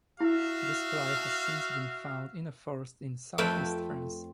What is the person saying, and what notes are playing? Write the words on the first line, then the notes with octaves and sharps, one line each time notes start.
This fly has since been found in a forest in south-east France.
E4 F#4 E5 F5
F2 A3 C4 F4 B4 G5